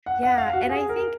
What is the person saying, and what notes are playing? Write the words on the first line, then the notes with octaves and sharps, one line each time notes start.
Yeah, and I think
F#5
F#5
F5
F#4
G#4
A#4